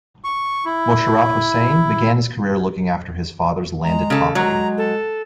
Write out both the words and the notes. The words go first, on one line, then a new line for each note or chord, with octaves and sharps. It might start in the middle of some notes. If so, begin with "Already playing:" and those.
Mosharraf Hossain began his career looking after his father's landed property.
C#6
E4
G#3 A#5
C#3 A4
F#3 G#3 A#5
A4